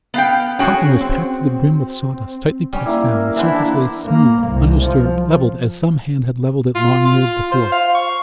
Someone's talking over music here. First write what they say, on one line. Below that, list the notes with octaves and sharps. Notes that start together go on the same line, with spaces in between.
The coffin was packed to the brim with sawdust, tightly pressed down. The surface lay smooth, undisturbed, levelled as some hand had levelled it long years before.
B3 F5 G5
C#4 F#4 G#4 G5
C4
G3 C#4
A#3 E4
A#4
E3 D4 E4 C5 E5 F#5
A#3 F#5 A5
A#3
C2
F3
F4
F4
C5
F5
C#6